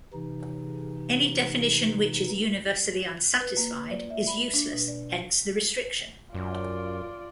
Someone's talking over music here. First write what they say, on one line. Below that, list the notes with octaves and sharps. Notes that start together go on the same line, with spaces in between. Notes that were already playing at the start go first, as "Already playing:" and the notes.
Any definition which is universally unsatisfied is useless; hence the restriction.
C3 E3 D#4
B4
A#3
D5
E5
B5
D4
B2
D5
F#2 F4 D5